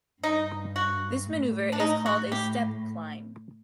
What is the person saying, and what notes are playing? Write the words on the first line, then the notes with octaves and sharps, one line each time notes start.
This maneuver is called a step climb.
G2 D#4
F#4
A2
D4
D#4
F#4
A2 G4